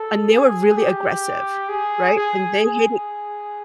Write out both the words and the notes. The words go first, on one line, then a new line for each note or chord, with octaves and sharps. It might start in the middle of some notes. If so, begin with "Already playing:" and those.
and they were really aggressive, right? And they hit it
Already playing: A4
G#4
G4
G#4
G#4
G#4